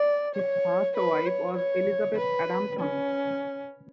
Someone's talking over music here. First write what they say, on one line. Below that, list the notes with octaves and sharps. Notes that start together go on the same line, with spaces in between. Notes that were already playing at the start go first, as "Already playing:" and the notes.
His first wife was Elizabeth Adamson.
Already playing: D5
C#5
B4
C#5
C#5
B4
C#4